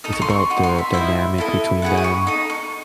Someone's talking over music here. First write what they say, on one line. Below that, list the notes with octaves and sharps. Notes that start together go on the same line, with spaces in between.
it's about the dynamic between them,
D#4 A4 D#6
C#6
C6
C#6
D#4 F#4
C6
E5
E4 C5 D#5 E5
E4 A4 D#5
E4 G#4 C#5 F#5
D#6
C#6
D#4 A4 D#6
C#6